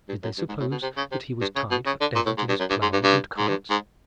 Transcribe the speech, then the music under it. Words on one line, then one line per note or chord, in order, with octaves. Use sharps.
Did they suppose that he was tied for ever to his ploughs and carts?
G2
F#2
G2
G#2
A2
B2
C3
C#3
C3
G2
C#3
B2
C#3
D3
A#2
A2
G#2
G2
F#2
G2
G#2
G2
G2
G#2
G2
G#2